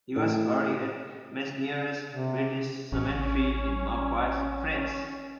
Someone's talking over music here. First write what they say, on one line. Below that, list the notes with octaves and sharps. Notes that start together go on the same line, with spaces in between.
He was buried at Masnieres British Cemetery in Marcoing, France.
A2
C3
A1 C#4